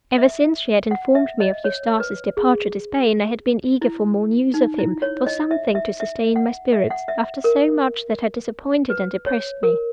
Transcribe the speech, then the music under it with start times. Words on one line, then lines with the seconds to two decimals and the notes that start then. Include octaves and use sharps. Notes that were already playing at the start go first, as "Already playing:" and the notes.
Ever since she had informed me of Eustace's departure to Spain I had been eager for more news of him, for something to sustain my spirits, after so much that had disappointed and depressed me.
0.18 E5
0.91 F#5
1.15 E5
1.40 D#5
1.64 C#5
2.00 B4
2.37 G#4
3.81 E4
4.54 D#4
4.78 E4
5.02 C#5
5.26 D#5
5.51 E5
5.75 E5
6.00 E5
6.36 F#5
6.73 E5
6.90 F#5
7.08 E5
7.44 A#4
8.90 B4
9.26 C#5
9.63 A#4